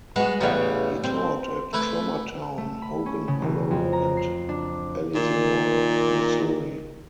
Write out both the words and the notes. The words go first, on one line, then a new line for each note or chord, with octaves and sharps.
He taught at Crommertown, Hogan Hollow and Ellsinore, Missouri.
G#3 B3 F#4
A1 C#3 E3 G3 B3
C4
A3 E4 B4
A3
B5
C#4
C#3
E1
F2
A#5
C7
D4
A#2 D#3